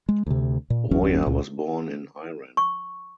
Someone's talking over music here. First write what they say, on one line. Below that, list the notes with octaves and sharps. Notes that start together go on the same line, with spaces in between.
Roya was born in Iran.
G#3
D2 C3
A#2
G1 E2 F#3 C#4
C#2 A#2
C#6